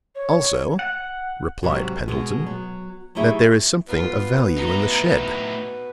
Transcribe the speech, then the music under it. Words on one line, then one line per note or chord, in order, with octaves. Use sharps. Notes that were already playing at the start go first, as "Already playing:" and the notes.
"Also," replied Pendleton, "that there is something of value in the shed."
C#5
F#5
G#2 C3 F#3 G3
B2 G#3
F#3
F#3 A3 D#4 E4 G4 G#4
B2 B3 F4 B4
A2 D#4 A#5